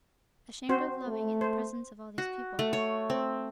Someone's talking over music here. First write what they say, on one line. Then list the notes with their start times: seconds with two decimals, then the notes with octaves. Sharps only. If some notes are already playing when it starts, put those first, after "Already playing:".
Ashamed of loving in the presence of all these people.
0.69 C4 F#4 C5
1.08 A3
1.41 C5
2.18 F#4
2.59 A3
2.73 C#5
3.10 C4